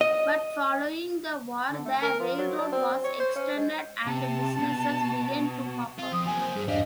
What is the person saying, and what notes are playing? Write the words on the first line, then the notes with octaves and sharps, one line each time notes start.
But, following the war, the railroad was extended and businesses began to pop up.
D#5
D3
A3
A#4
F3
F#3
D4
C4
C#5
C5
C#4
G#3
C3 A5
B2
C4 F4
F2 D#6
F#3 A#3 G#5
C5
G2 G#4
E2 G2 G3 D4 D#5 F5